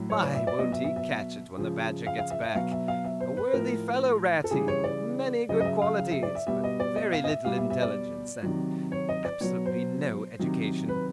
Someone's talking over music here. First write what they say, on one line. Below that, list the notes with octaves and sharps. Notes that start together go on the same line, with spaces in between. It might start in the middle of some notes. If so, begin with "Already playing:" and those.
My! won't he catch it when the Badger gets back! A worthy fellow, Ratty, with many good qualities, but very little intelligence and absolutely no education.
Already playing: A2 F#3
C#5
D5
E5
D5
B2 F#3 D#5
E5
E5
E5
C#3 F3
F5
F5
E5
E5
B2 F#3 F5
E5
F5
E5
C5
B4
A2 F3 A#4
A4
C#3 E3 G3 G#4
C#5
D5
C#3 F#3 D#5
D#5
E5
F5
F5
E5
D5
E5
B2 G3 E5
D#5
D5
D#5
F5
D#5
E5
B2 G3 F5
E5
E5
D5
C3 D#3 F#3
C#5
D#5
D5
B2 F#3 C#5
C5
C3 D#3 F#3
B4